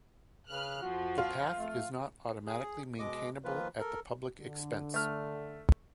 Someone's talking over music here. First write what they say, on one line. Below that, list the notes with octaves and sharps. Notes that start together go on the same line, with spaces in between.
The path is not automatically maintainable at the public expense.
C#3 B4 F6 F#6
F2 F3 F#4
F4
A3
G#4
B2 G#3 D#5 D6
D#3 F3 A#3 F4 B4
A4 A#4
D3
A3 F6